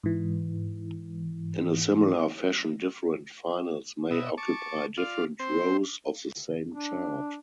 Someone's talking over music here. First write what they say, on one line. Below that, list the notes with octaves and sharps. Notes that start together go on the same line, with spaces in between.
In a similar fashion different finals may occupy different rows of the same chart.
G#2 E3
B2 D#5 E5
A5 C#6 D6
F4 D5 F5
C4 C5
D4